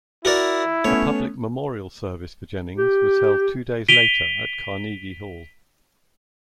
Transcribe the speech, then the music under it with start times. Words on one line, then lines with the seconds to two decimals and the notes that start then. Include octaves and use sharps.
A public memorial service for Jennings was held two days later at Carnegie Hall.
0.25 E4 F#4 A#4 D5
0.85 A3 B3 C#4 C#5
2.78 G4
3.88 B6 D7 D#7 F7 G7